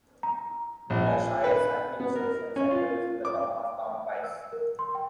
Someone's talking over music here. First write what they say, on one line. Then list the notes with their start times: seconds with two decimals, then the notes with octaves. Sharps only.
The shire's administration centre is in the town of Tom Price.
0.23 A#5
0.90 A#1
1.06 G#5
1.44 B4
2.00 B3
2.16 A#4
2.56 C#4
2.71 F4
3.25 D6
4.24 E6
4.52 A#4
4.79 C6
4.95 G5